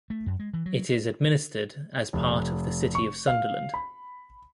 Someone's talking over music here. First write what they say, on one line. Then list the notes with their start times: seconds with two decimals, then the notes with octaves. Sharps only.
It is administered as part of the City of Sunderland.
0.10 A3
0.26 F#2
0.39 G#3
0.54 E3
0.66 F#3
2.13 F1
2.95 C#6
3.27 F5
3.74 B5